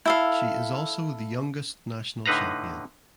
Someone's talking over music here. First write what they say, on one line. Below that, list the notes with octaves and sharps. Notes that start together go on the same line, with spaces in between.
She is also the youngest national champion.
E4 A4 F5
A2 D3 D#4 B4 F5 A#5